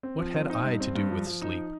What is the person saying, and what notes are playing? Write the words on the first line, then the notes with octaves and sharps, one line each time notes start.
What had I to do with sleep?
C4
F3
C4
D#4
G2
C4
G2
F3
F3
D#4